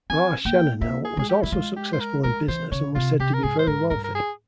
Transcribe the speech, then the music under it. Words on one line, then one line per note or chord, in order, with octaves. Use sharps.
R. Chananel was also successful in business and was said to be very wealthy.
C4 G#5
A#3 G5
A#3 E5
G#4
G#3 G#4
G4
G3 E4
G#3 F4
G4
C5
A#4
G#3 A#4
E3 C5
C#3 C#5
C3 F4
C3 G4
A#4
G#2 G#4
C5
G#2 A#4
G2 A#4
A#4
G#4